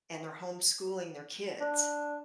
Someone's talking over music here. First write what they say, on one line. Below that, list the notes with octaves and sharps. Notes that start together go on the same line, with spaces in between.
and they're homeschooling their kids.
D4